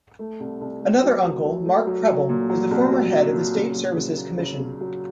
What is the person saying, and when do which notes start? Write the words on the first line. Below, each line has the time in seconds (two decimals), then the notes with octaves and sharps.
Another uncle, Mark Prebble, is the former head of the State Services Commission.
0.19 A3
0.40 C2
0.61 C2
0.82 A3
1.03 F#3
1.24 F#3
1.45 F#3
1.66 A3
1.87 F#3
2.08 F#3
2.29 A#2
2.50 F#3
2.71 C2
2.91 F#3
3.12 F#3
3.33 A#2
3.55 C#3
3.75 F#3
3.96 C#3
4.17 A#3
4.38 C#3
4.60 C#3
4.81 F#3